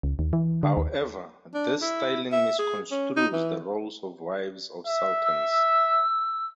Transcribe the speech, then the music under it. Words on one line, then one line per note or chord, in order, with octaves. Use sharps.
However, this styling misconstrues the roles of wives of sultans.
C#2
D#2
E3
D3
D#2
D4
E4
E5
G#4
C#4
D#4
E3
E5
E6